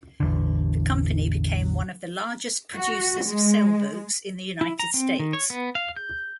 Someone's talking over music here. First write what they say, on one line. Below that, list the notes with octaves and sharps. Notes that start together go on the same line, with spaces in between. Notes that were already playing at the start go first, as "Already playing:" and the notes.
The company became one of the largest producers of sailboats in the United States.
A1 E2 D3
F#4
G#3
E4
A#5
C4
D#3
C#5
B3
F5
G6